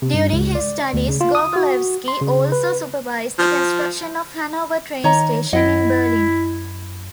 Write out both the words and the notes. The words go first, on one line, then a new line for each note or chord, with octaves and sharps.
During his studies, Gorgolewski also supervised the construction of Hanover Train Station in Berlin.
C3
G2
C#2
D5
D2
C#3
F4
D#6
F#4
C6
C#3
B4
F3
D#3 C#5 D#5 A#5
F#2 E4 D#5 F#5